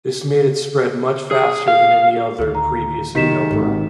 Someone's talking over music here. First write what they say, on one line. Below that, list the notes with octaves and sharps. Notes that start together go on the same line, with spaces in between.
This made it spread much faster than any other previous email worm.
G#4
F5
D2 D#3
A#5
C3 D#3 F#3 G4 B6 E7
G#1 D#4